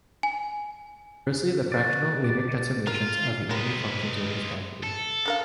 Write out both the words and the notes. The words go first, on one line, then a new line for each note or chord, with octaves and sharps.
Conversely, the fractional linear transformations are the only functions with this property.
G#5
F#4 D5
D5
F4 A#4
G#3 E4 G4 A#4 B4
A4
D3 A#4 F5